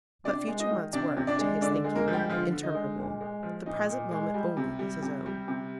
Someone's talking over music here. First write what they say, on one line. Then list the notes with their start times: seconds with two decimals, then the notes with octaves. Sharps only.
But future months were, to his thinking, interminable; the present moment only was his own.
0.25 C3 D4 D5
0.47 G#3
0.59 D#4 D#5
0.71 D#3
0.93 C3 D4 D5
1.17 C3
1.27 D4 D5
1.39 G#3
1.61 D3 D4 D5
1.84 G#3
1.95 A#3 A#4
2.08 F3
2.13 G3 G4
2.29 D3 F3 F4
2.52 D3
2.63 D#4
2.75 G#3
2.98 A#2
3.21 G#3
3.43 F3
3.66 A#2 D#4
3.89 A#2
4.11 G#3
4.34 G3
4.57 C3
4.79 G3
5.02 C3
5.26 G3
5.48 C3